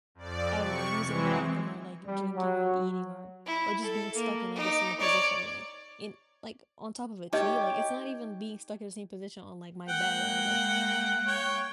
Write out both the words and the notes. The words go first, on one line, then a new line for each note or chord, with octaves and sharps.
I don't know, using the bathroom or, like, drinking or eating or or just being stuck in, like, the same position, like, in like, on top of a tree, like, it's not even being stuck in the same position on, like, my bed or, like,
F2 D5
C3 C#6
E3 G#3 C4
G3
F#3
E4
A4
A#3
D#4 D6
C#5 D5
D#4 G4 C#5 D#5 G5
G#3 A#3 F#5 G5 F#6
C#5 G5